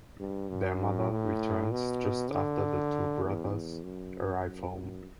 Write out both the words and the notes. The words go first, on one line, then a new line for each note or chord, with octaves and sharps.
Their mother returns just after the two brothers arrive home.
G2
F#2
A2
B2
D3
E2
F#2
F#2